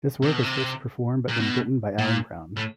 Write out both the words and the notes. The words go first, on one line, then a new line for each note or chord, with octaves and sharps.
This work was first performed in Britain by Alan Brown.
C3
B2
C3
A#2
B2
A#2
A2